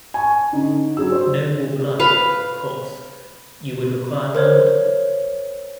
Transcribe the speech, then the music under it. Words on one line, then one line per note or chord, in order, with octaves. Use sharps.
Noble blood, of course, you would require, my Lord?
G#5 C#6
D3 C#4 D#4
F#3 F#4 G#4 E6
C5
B4 F5
A#4 C5 C#5